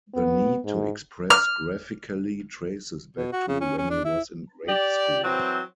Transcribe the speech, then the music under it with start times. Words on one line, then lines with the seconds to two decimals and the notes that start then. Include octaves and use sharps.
The need to express graphically traces back to when he was in grade school.
0.14 B3
0.65 G#2
1.30 F6
3.16 B2
3.33 F#4
3.48 C#3
3.61 C#4
3.78 C#4
3.90 D4
4.05 E4
4.67 G4 D5
5.23 E3 F#3 C4